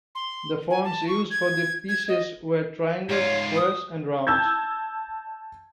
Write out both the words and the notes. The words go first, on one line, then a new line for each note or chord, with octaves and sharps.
The forms used for the pieces were triangles, squares, and rounds.
C6
G#5
A5
C#6
G#6
G#6
D#5
G#2 F4 C#5
D#6
A5 E6 G6 G#6